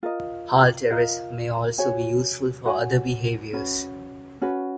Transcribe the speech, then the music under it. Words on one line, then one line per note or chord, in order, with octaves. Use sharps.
Halteres may also be useful for other behaviors.
F4 A#4 D#5
F4 A#4 D#5
F#4 C#5 G#5
F#4 C#5 G#5
C#4 F#4 B4
C#4 F#4 B4